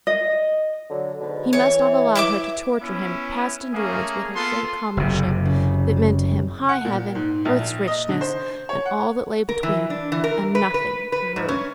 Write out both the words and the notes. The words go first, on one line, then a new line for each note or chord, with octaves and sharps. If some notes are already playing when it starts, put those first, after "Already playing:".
He must not allow her to torture him past endurance with her frank comradeship that meant to him high heaven, earth's richness, and all that lay between, and NOTHING to her.
D#5
D3 F#3
G#2 B2 D3
E3 C#5
E4 E5 D6
B3 C#4 E4
A3 A#3 C#4 G#4
B3 F4 A4 C6
F#1 C3
C#3
F#5
A#2
G#2
A#1
D#5
D3
C5
C#5
F#5
A#4
E3
D4
E3
A#4
B4
B4
B4
G#2
C#4